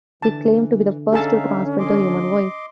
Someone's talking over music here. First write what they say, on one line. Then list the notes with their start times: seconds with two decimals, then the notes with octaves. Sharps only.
He claimed to be the first to transmit the human voice.
0.22 D3 E3 A5
1.13 C#4 D#4 G#4 A4 E5 F5 A5
1.79 D#5 C6 D6